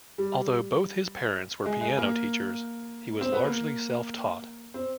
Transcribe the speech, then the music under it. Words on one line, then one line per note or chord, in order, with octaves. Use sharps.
Although both his parents were piano teachers, he was largely self-taught.
G3
G#3
G#3
A#3
C4
B3
A#3
C4